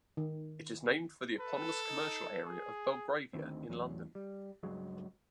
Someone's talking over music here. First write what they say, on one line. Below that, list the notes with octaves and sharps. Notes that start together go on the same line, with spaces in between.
It is named for the eponymous commercial area of Belgravia in London.
D#3
A4 B4
D#4
G#4
D2 D#3 C4
A1 E2 F#3
G3
C#2 G2 F#3 G#3